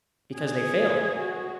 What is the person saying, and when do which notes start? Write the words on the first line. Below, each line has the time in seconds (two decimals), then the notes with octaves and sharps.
"Because they failed."
0.37 G#4
1.19 F#4